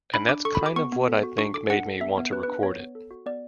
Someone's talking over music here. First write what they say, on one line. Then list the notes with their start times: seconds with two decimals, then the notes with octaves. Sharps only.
And that's kind of what I think made me want to record it.
0.14 D4 B5
0.29 D4 D6
0.45 A4 C#6
0.55 B5
0.61 F#4 D6
0.76 B3 C#6
0.92 B3
1.07 A4
1.23 F#4
1.38 D4 C#6
1.54 A4 D6
1.70 D4 F#5
1.86 A4
2.01 B3 E5
2.17 B3
2.32 G4 B4
2.43 B4
2.48 D4
2.54 B4
2.63 B3 C#5
2.80 B3
2.95 A4
3.11 F#4
3.26 B3 D5